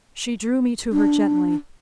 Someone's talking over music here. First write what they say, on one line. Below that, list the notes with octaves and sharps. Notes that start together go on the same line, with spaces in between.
She drew me to her gently.
D4